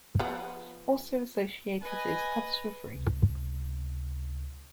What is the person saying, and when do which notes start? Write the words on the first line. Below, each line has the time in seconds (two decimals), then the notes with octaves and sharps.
Also associated is "Ads for Free".
0.19 F3 B3
1.82 B4 D#5 G#5
2.95 C#2 C3